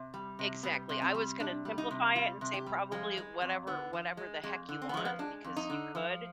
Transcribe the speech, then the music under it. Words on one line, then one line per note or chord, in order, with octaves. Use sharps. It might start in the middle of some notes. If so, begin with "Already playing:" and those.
Exactly, I was gonna simplify it and say, "Probably whatever whatever the heck you want, because you could,"
Already playing: C3
G3
C3
G3 B3
C3
C4
G3
C3 D4
G3
D#4
C3
G3 F4
C3
G4
G3
F3 G#3
G#3
F2
D3 B3
F3
G#3
F2 G#3
D3
C4
B3
F3 G#3
B3
G#3 D4
F2
D#4
D3
F3